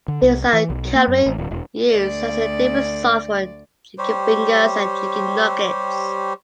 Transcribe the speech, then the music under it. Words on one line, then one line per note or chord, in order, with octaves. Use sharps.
These are commonly used as a dipping sauce for Chicken fingers and chicken nuggets.
D3
C2
E3
B1
A#3
F#2
A1
D1
E1
D2 D5
G3 G4 C5 C#5